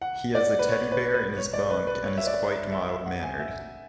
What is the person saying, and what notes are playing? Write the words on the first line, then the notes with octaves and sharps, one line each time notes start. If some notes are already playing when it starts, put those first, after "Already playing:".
He has a teddy bear in his bunk and is quite mild-mannered.
F#5
D5
B4
C#5
B4
B4
C#5
D5
B4
B4
C#5
E5
D5
E5
E5
F#5
G#5
E5